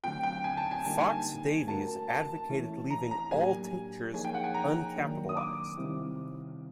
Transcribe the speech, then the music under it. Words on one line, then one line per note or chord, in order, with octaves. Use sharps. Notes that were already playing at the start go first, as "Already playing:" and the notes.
Fox-Davies advocated leaving all tinctures uncapitalized.
D3 F#3 A3 C4 F4 G5
G5
G#5
A5
G#5
D3 G3 A#3 D#4 A5
G#5
A3 C#4 F#4 A#4 A5
A5
E3 A3 C#4 E4
A#5
A#5
A2 F#3 A#3 D4 G4 G#5
F3 A#3 D#4 G#4 C#5 G#5
G5
F#5
G#5
A#5
D#3 F#3 A#3 D4
D#6
D6
C3 D#3 G3 C4 E4